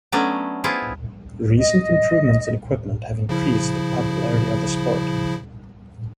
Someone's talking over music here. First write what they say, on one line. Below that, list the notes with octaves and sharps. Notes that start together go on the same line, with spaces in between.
Recent improvements in equipment have increased the popularity of the sport.
F#3 A3 B3 C#4 D4 D#5
B3 E4 F4 G#4 C5
D#5
C#3 F3 E4